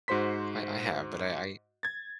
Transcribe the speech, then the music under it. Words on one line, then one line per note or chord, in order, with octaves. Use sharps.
I I have, but I
G#2 F#4 C5 C6 B6
G#6 A6